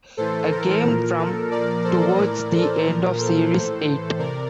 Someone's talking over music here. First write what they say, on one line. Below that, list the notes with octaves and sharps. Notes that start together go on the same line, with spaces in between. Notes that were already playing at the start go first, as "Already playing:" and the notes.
A game from towards the end of Series Eight.
A2 E3 A4 C5
A#4
A#2 F3 A#4
A4
A#2 F3 A#4 D5
A4 C5
A2 E3 A#4 D5
A4 C5
A#2 F3 A#4
A4 C5
A2 E3
C3 A#4 D5